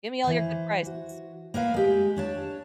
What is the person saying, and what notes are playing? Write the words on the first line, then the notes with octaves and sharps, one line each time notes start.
Give me all your good prices.
E3 C5
F#4
A#3 A#4 B4 F5
G#3 G4
D4 C#5 A5